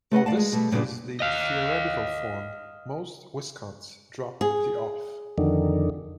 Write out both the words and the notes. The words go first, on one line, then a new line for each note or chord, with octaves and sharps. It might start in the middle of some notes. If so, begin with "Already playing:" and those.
Though this is the theoretical form, most Viscounts drop the "of".
A3 B4 D#5 F#5
D5 F5 A5
G#3
B2 G3 A3
G2 A#2 G#3 B3 D4
D#5 F5
G#4
F2 D3 D#3